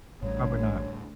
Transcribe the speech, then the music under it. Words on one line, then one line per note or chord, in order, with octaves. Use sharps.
Probably not.
A1 D2 A2 G3 C#5